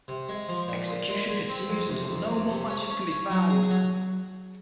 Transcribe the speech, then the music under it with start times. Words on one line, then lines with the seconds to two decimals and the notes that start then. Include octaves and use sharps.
Execution continues until no more matches can be found.
0.08 C3
0.29 G#3
0.49 F3
0.68 A#2
0.89 A#2
1.09 G#3
1.29 G#3
1.49 C4
1.69 F2
1.89 C3
2.09 F2
2.29 F2
2.50 C3
2.70 C#4
2.90 C#4
3.10 C#4
3.30 F#3
3.50 G#4
3.70 F#3